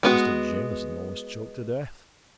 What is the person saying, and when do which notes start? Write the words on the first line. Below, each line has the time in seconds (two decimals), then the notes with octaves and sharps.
Mr. Jamieson almost choked to death.
0.03 G#3 B3 F#4